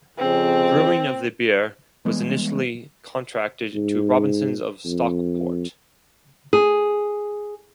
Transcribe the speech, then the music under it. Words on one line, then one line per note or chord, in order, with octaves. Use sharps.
Brewing of the beer was initially contracted to Robinson's of Stockport.
F2 C#3 C4
E3 G3 G#3 B3
G#2
F2
G#4